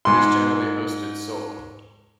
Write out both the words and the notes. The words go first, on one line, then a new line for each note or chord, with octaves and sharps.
It is generally hosted solo.
G#2 C6